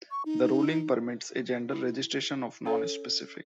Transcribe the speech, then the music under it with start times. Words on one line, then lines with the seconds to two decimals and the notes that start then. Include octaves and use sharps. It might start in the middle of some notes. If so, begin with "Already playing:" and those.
The ruling permits a gender registration of "non-specific".
0.11 C#6
0.26 D#4
1.71 E4
2.65 C#4 A4 C#5